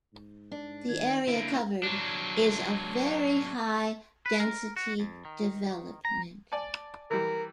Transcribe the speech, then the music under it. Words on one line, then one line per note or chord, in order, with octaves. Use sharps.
The area covered is of very high density development.
G#2
D4
D#3 G#6
D3 A#3 E4 D7
F#3 D4
B4
A#4
F#4
F2
D#3
A#5
D5 G#5 A5
E3 G3 A#4